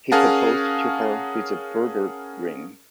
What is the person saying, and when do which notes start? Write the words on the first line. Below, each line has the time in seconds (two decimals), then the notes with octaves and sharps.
He proposed to her with a burger ring.
0.12 C#4 G#4 A#4 F5 F#5 A5